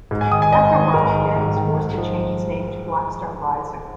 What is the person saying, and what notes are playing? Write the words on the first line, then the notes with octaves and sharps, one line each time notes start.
After a while the band was forced to change its name to Blackstar Rising.
G#2
G#5
D#3 D#6
G#5
G#2 D#5
D#3
G#2 A#4
D#3
G#2
D#3
G#2
F3